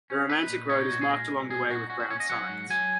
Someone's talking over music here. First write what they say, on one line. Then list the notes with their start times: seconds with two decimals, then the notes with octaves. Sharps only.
The Romantic Road is marked along the way with brown signs.
0.10 C#4
0.29 D#4 B4
0.49 A#2
0.69 D#4 C#5
0.90 A#2 F#4
1.01 G#4
1.09 G#3 A#4
1.30 A#2
1.50 A#2 G#4
1.70 D#4 F#4
1.90 C#4 F#4
2.00 F#4
2.10 C#4 C#5
2.20 D#5
2.30 F#3 F#5
2.49 G#2
2.70 F#3 G#5